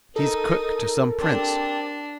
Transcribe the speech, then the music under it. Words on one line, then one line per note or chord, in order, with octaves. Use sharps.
"He's cook to some prince."
D#4 A4 A#4 D#6
C4 D4 G4 A5